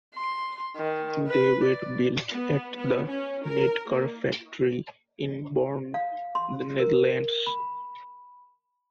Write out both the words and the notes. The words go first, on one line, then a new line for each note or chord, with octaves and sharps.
They were built at the NedCar factory in Born, The Netherlands.
C6
D#3
B4
D5
B3
B3
C#4
A#4
A#3
F5
C6
A#4
B5